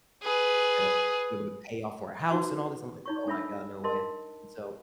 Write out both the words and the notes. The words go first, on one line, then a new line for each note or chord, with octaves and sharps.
you gotta be able to pay off for a house and all this," I'm like, "Oh my god, no way," and so, um,
G#4 B4
D#4 F#4 B4
D#4 C#5 C#6
D4 A4 C#5 E5 B5 E6
A#4 D#5 A5 C6